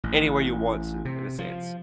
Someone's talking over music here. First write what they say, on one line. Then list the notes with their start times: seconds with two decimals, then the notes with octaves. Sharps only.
anywhere you want to, in a sense.
0.04 A1
1.05 C3
1.39 F3